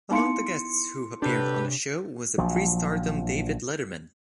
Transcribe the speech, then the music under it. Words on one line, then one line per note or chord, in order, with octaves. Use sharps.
Among the guests who appeared on the show was a pre-stardom David Letterman.
B3 D#4 E4 F5 C6 C#7
C3 D4 G4 A4 B4
A#1 F3 F#3